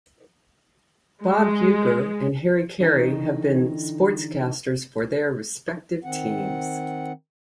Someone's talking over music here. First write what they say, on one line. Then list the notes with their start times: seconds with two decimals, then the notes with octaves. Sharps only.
Bob Uecker and Harry Caray have been sportscasters for their respective teams.
1.23 G#3
2.80 D3 E3 D#4
6.04 D#3 C4 F#5